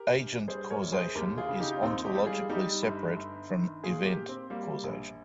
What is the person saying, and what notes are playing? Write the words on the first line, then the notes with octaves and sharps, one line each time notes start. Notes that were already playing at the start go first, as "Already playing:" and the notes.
Agent causation is ontologically separate from event causation.
Already playing: G4 A#4
A#1
G3 G#4 C5
A#4 C#5
A#1
G#4 C5
D#2 G4 A#4
F4 G#4
C#3
D#4 G4
F4
D#2 C4 D#4
D#4 G4
G3
F4 G#4
G3 D#4 G4
G1
G1
D#3
A#2 F4 G#4
G4 A#4
A#2
C4
G3 A#3
A#1